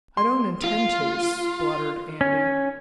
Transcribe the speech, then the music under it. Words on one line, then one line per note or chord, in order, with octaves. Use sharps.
"I don't intend to," spluttered Andy.
C6
F4
C#4